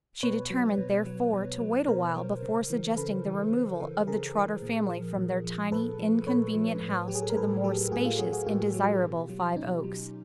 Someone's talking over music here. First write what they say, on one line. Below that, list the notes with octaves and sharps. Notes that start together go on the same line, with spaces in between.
She determined, therefore, to wait awhile before suggesting the removal of the Trotter family from their tiny, inconvenient house to the more spacious and desirable Five Oaks.
B2 B4 C#5
F#3
B2
F#3
B2
F#3
B2 A#4 C5
F#3
C#3
E3
C#3 A4 B4
E3
C#3
E3
C#3 G#4 A#4
E3
A#2
F3
A#2
F3
A#2 A4 B4
F3
A#2 B4 C#5
F3
A2
F#3 G4
G#4
A4
A#4
A2 A4 B4
F#3 G4 A4
A2 F#4 G#4
F4 G4
F#3 F#4 G#4
F#4 G#4
A2 F4 G4
F#3
B2
F#3
B2 C#4 D#4
F#3